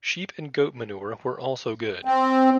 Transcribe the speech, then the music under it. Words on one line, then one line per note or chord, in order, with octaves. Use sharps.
Sheep and goat manure were also good.
C4